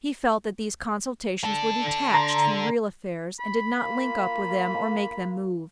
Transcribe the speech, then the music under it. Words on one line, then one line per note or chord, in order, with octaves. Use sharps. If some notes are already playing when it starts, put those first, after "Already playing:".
He felt that these consultations were detached from real affairs and did not link up with them or make them move.
D4 A4
A#5 C6
B5
A#3 F4